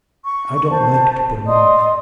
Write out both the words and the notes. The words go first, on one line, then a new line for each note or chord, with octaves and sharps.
I don't like to put him off.'
C#6
C5 A5
D5 D#5 C6 D#6